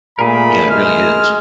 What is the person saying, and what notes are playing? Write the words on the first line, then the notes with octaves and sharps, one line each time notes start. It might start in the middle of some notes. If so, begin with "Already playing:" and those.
Yeah, it really is.
A#2 A3 G#4 A#4 B5
G#3 F6